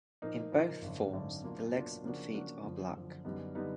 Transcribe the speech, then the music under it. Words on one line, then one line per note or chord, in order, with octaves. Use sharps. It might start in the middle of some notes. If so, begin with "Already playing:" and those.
In both forms the legs and feet are black.
A#2 F3 A#3 D#4
A#2 F3 A#3 D#4
G#1 F#2 D3
G#1 F#2 D3
B2 F#3 A#3 D4 F4
B2 F#3 A#3 D4 F4
C#3 F3 A#3 D4 F#4
C#3 F3 A#3 D4 F#4
F#2 D3 F3
F#2 D3 F3
F#2 D3 G3 B3 D#4
D3 G3 B3 D#4